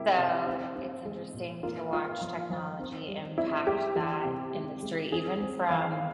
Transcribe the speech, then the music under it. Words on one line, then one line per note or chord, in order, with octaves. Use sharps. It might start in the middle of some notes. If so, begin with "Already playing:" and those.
so it's interesting to watch technology impact that industry even from,
Already playing: C3 G3 E4 G4 A#4
C3
C4
C4
G#3
A#2
A#3 F4
A#3 F4
F3
F3
C4
G3
C4 E4
G3 G4
E3 G4
C3
G#3
G#3
C4 G#4
C4
E3 F5